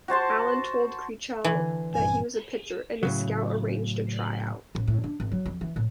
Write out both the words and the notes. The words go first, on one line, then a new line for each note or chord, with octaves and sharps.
Allen told Krichell that he was a pitcher, and the scout arranged a tryout.
F#4 C5 A5 C6
D3 E3
A#1 G2 C3 G#5
A2 C#3 F#3
A1
A2
D4
G#1
F#3
F2
E3
A2